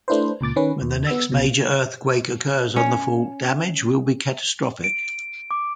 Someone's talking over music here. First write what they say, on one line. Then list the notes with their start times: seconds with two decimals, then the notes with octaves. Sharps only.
When the next major earthquake occurs on the fault, damage will be catastrophic.
0.08 A3 D4 E4 B4 C5
0.41 C#2 A#2 D6 A6
0.56 D#3 C#4 B4
0.82 D#2
1.07 B3 E6
1.32 C2 B2
2.76 C#4
4.84 D7
5.51 D6